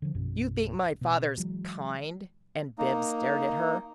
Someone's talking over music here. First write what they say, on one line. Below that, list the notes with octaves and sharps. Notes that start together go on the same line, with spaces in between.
"You think my father's KIND?" And Bibbs stared at her.
D3 F3
A#1 F#2 B2
B2
E3 F#3 G#3
A#3 D#4